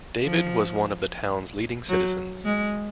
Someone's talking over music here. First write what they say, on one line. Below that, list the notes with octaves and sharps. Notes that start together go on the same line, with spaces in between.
David was one of the town's leading citizens.
F3
F#3
G#3